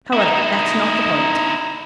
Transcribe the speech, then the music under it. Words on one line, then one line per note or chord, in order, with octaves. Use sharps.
However, that's not the point.
D#4 E4